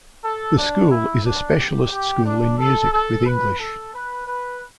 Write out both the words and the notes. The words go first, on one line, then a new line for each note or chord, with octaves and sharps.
The school is a specialist school in Music with English.
A4
D4
E4
D4
G4
G4
D4
A4
A4
B4
A4
B4
B4